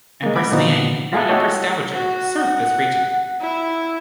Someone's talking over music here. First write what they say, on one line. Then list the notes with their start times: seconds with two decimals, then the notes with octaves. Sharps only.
Empress Liang, now empress dowager, served as regent.
0.23 G#3 A#3
0.35 F#5 B5 D6
0.51 A#2 D3 F3 B3 D#4 F#4
1.13 F4 F#4 G#4 A4 E5
1.29 E4 F#4 G4 A4 C#5 D#5
1.94 F#4
2.38 F#5
3.41 E4